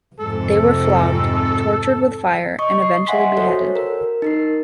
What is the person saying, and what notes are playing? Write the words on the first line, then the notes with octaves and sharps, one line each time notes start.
They were flogged, tortured with fire and eventually beheaded.
F2 G#2 C3 A4
D#5 C#6 D#6
C7
D#5 E5 F#5 G#5 C6 B6
F#4 A4 C5 C#5
A#4
D#4 A#4 C7